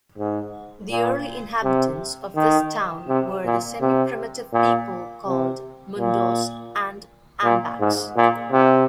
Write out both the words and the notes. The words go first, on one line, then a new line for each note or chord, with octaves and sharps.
The early inhabitants of this town were the semi-primitive people called "Mundos" and "Ambaks".
G#2
A#2
C3
D#3
C3
A#2
C3
A#2
C3
A#2
A#2
G#2
A#2
C3